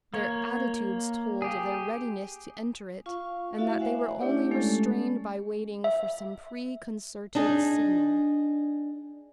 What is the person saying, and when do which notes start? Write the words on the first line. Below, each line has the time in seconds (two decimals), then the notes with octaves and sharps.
Their attitudes told of their readiness to enter it, and that they were only restrained by waiting for some preconcerted signal.
0.14 A#3 C#5
1.42 G4 G#4
3.06 F4 F5 C#6
3.57 A3 E4 F#4 E5 F5
3.79 C5 E5 F#5 G#5
4.19 A3 D4 E4 G4 C#5 D5
4.51 G#3 A3 C#4 A4
5.84 E5
7.35 D4 D#4 G#4